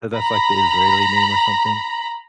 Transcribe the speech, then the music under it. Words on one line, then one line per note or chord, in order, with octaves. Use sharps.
but, that's, like, the Israeli name or something?
A#5 B5